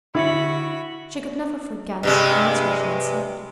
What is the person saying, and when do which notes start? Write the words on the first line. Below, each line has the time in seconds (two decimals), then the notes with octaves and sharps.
She could never forget the misery she had seen.
0.15 D3 E4 F#4 E5 B5 C#7
2.03 G2 C3 G#3